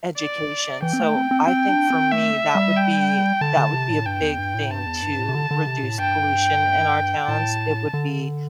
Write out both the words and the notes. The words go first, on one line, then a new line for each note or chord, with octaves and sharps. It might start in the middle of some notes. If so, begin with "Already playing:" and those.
education, so I think for me, that would be that would be a big thing to reduce pollution in our towns, it would be
D5
E3 G5
C4
A3
C4
C4
C4 G5
D4
C4
A3 E5
G3
G5
D3 A5
D3
C3
A2
G2 G5
E2
G2
A2
G2 A5
E2
G2
A2
C3
D3
D3
C3
A2
G2 G5
A2 A5
D3